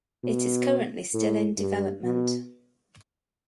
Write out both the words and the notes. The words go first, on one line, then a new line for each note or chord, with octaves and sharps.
It is currently still in development.
B2
A2
G2
B2